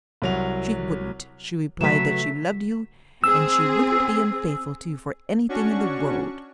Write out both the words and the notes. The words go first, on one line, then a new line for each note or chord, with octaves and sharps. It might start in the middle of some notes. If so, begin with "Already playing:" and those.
She wouldn't; she replied that she loved you, and she wouldn't be unfaithful to you for anything in the world.
C2 F#3 F7
C#3 F#3 A3 B4 B6 E7
C4 G#4 E6
C#4 D4 F#4 C#6